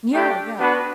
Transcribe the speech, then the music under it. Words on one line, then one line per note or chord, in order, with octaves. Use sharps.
Yeah, yeah.
A3 D4 G4
B3 D4 F#4 B4